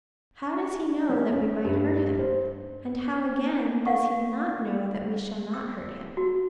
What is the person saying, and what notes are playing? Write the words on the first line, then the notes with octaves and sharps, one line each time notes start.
How does he know that we might hurt him? and how again does he not know that we shall not hurt him?
C#4
G2
C5
F5 F#5 C#6
E6
F#4